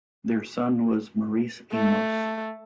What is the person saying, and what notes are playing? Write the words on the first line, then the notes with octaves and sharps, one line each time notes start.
Their son was Maurice Amos.
A3